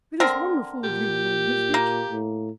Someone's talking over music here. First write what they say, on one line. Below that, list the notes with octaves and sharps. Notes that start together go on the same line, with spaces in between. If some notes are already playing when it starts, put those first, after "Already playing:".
"It is wonderful of you, Lord Wisbeach."
D3 C4 A#4
A#2 G4
A#3
A2